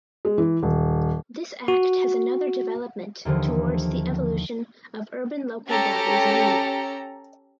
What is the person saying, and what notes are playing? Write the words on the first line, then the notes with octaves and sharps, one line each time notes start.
This act has another development towards the evolution of urban local bodies in India.
G#3
E3
D#1
F#4
D#2 D3 E3 F3
C#4 G4 A4 A#5